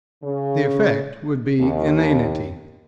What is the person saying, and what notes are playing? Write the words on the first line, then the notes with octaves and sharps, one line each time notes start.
The effect would be inanity.
C#3
D#2